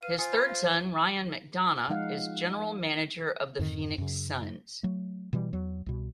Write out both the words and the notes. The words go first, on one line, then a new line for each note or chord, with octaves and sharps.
His third son, Ryan McDonough, is general manager of the Phoenix Suns.
B4 F5 D#7
F4 C5 G#5 D#6
B5 F6
F5
F3 G#3 D#4 F5 F#5
F2 G#2 D3 D#3
F#2 C#3
F#3 A3
B2 E3 G3
E2 F#3
C2 B2